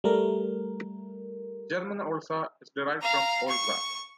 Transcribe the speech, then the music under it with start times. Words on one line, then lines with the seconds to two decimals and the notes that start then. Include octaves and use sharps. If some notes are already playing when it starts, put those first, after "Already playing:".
German "Olsa" is derived from "Olza".
0.04 G3 A3 A#4
3.01 F5 A#5
3.48 C#6